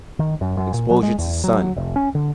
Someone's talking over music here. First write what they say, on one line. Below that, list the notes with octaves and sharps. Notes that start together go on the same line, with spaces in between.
exposure to sun,
D#3
F#2
F#2
A#2
F#3
G#3
E2
F#3
F1
C#4
D3